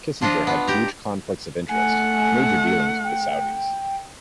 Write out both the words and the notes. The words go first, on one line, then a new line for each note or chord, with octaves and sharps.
Kissinger had huge conflicts of interest -- major dealings with the Saudis...
F3 D4 F4 D#5
B3 F4
G4 A#5
A3 F#5 G#5
G5